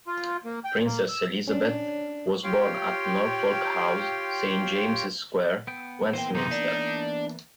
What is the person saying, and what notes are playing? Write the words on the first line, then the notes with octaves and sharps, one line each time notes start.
Princess Elizabeth was born at Norfolk House, Saint James's Square, Westminster.
F4
A#3
G5
A#3
E6
C#4 D4
F4 G4 C#5 F5 G5 C6
B3 G5
E3 A#3 B3 C5 G5
F#2 C3 D#4
D4